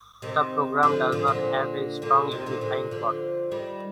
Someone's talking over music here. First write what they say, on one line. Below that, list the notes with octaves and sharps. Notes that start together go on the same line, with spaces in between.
The program does not have a strong unifying plot.
C3 D#3
D3 F3
D3 F3
A#2 D3
A#2 D3
C3 D#3
A#2 D3
A#2 D3
D3 F3
D#3 G3